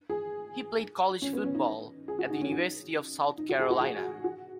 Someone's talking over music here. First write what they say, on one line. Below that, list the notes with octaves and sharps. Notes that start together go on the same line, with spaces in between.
He played college football at the University of South Carolina.
G#4
C#4
B3
C#4
D#4
G#4
F#4
D#4
C#4
D#4
D#4
F#4
G#4
F#4
G#4
F#4